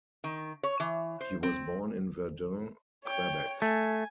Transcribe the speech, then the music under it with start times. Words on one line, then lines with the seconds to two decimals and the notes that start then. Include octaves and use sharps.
He was born in Verdun, Quebec.
0.24 D#3
0.63 C#5
0.80 E3
1.21 C5
1.43 C4
3.04 C#5 G5
3.62 A3 G#5